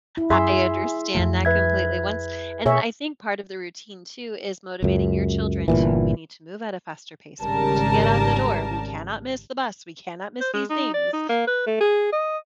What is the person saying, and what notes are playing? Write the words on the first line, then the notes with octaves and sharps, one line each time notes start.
I understand that completely, once and I think part of the routine too is motivating your children to, "We need to move at a faster pace, we need to get out the door, we cannot miss the bus, we cannot miss these things,"
E4
F#2 G#4 E5 C6 E6
F2 F3 A3
B4 E5 G#6
B2 G#4 C#5 E5
C#2 F#2
G1 C#2 A#2 E3
G#1 C#3 G3 A#4 A5
C5
G#3
D#4
D5
D#4
A#3
B4
A3
G#4
D#5